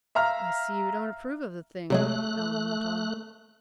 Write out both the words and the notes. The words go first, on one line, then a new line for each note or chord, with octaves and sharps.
"I see you don't approve of the thing," Allan went on.
E5 F5 A#5 F6
C3 F#3 G#3 A3 F#6